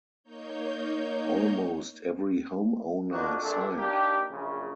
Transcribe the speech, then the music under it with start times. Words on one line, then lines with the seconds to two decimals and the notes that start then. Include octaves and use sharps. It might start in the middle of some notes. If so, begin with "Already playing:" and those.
Almost every homeowner signed.
0.23 A#3 D#4 C#5 G6
3.11 F2 F3 A#3 D4 D#4 F#4
3.40 A#1 A#2 A3 D4 A4
3.77 A#3 D4 D#4 G4
4.31 A#1 F#2 A#2 C#3